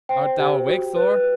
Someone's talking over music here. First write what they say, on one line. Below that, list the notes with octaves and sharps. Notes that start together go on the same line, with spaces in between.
Art thou awake, Thor?
C5 G5
G4
F#4
B4